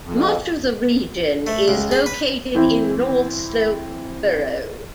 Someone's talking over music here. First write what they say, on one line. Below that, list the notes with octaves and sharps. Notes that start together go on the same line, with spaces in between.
Much of the region is located in North Slope Borough.
F2
A3
C#2
G#4
B4
E3 C4 E4